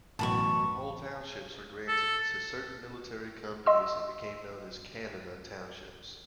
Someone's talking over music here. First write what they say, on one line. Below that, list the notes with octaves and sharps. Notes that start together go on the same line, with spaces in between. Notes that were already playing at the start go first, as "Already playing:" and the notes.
Whole townships were granted to certain military companies and became known as "Canada" townships.
A1 F#2 B2 A5 B5 C#6
A4
D#5 C6 E6